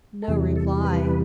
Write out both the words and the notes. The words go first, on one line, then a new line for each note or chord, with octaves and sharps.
No reply.
A4
E2 C3 E3 G3 G#4
A4
B4